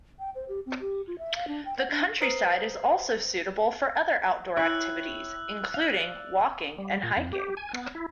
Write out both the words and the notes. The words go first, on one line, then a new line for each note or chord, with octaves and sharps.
The countryside is also suitable for other outdoor activities, including walking and hiking.
G5
C5
G4
C4
G4
F4
E5
F5
D4
G5
F#5
D4
B4 C5 A#5 D#6 C7 F#7
E4 C#5 G5 C#6 E6 F#6
D5 F5
G3
A#2
F2
G4
G#5
B3
E4